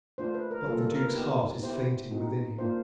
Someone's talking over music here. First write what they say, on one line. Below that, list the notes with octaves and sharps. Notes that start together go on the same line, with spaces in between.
But the Duc's heart is fainting within him.
A3 D4 F4 C5
B4
A#4
G3 A#3 C#4 F4 A4
A4
A#4
B4
B3 D#4 G4
B3 E4 G4 C5
C4 D#4 F#4
A#3 D4 F4 C5